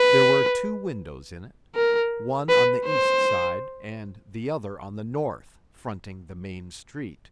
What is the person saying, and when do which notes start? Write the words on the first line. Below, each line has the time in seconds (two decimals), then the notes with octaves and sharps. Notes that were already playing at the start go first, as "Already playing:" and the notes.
There were two windows in it, one on the east side and the other on the north, fronting the main street.
Already playing: B4
1.75 A#4
2.49 B4
2.86 C5